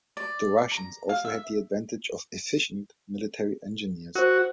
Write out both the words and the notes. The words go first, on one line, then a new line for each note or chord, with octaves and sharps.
The Russians also had the advantage of efficient military engineers.
D5
A#5
F5
E5
F#4 A#4 C5